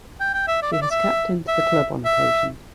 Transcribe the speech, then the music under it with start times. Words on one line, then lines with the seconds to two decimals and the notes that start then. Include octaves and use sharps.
She has captained the club on occasion.
0.20 G5
0.34 G5
0.47 E5
0.62 D5
0.72 E5
0.81 D5
0.91 E5
1.48 E5
2.05 E5